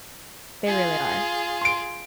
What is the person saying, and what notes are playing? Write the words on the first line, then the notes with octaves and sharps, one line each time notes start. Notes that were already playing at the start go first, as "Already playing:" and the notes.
they really are.
F4 G#4
C6 D7